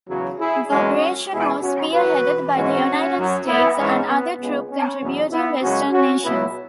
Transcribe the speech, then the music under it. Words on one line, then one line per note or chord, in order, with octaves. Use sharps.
The operation was spearheaded by the United States and other troop-contributing Western nations.
E2 C#3 F#3
E4 G#4
F#2 E3 G#3 C#4 F#4
E2 B2 G#3 E4 G#4
C#4 F#4
F#2 F#3 F#4 B4
G#2 E3 G#3 C#4 F#4
F#2 F#3
B3 E4
G#2 E3 G#3 C#4
B3
C#2 C#3 G#3 B3
C#4
E2 B2 F#3
B3 E4
F#2 C#3 G#3 C#4 F#4
C#4 F#4
C#2 B2 F#3 B3 E4